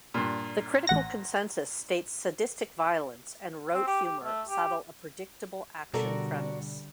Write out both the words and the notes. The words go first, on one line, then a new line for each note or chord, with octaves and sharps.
The critical consensus states Sadistic violence and rote humor saddle a predictable action premise.
G2 A#2
A1 F#5 A#6
C4
G4
G4
A3
G4
B2 D3 G3 F#4 A4 A#4 D5